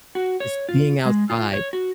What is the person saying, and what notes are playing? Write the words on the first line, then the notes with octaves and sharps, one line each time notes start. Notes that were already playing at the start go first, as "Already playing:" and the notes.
just being outside,
F#4
C#5
F4
G#3
F4
C#5
F#4